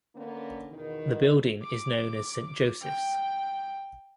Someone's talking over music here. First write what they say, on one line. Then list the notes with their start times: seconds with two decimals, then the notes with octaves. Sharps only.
The building is known as Saint Joseph's.
0.14 D3 A#3 B3 C#4
0.69 E2 B2 D#3
1.62 D6
2.82 G5